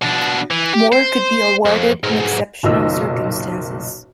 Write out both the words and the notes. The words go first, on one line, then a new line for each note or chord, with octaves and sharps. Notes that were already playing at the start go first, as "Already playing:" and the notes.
More could be awarded in exceptional circumstances.
B2 D4
E3
G4
C5
F2
B1 G#2
F#1 B1 A#2 D#3 D#5 E6